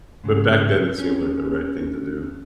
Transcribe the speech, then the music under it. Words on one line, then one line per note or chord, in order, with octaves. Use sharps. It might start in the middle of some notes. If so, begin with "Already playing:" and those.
but back then, it seemed like the right thing to do.
G#2 C#3
C#4